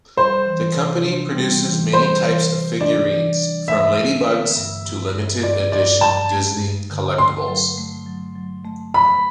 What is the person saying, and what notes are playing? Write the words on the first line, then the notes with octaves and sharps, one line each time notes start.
The company produces many types of figurines from ladybugs to limited-edition Disney collectibles.
G3 C5
E3
C3
D4
G3
E3
G3 C5
E3
C3
D4 D5
E3
G3
A3 E5
A3
D3
G2
G2
G2
G2 D5
G2 D5
G2 A5
A3
G2
D3
A3 C6
F#3
A3
F#3
F#3
A3
A3 B5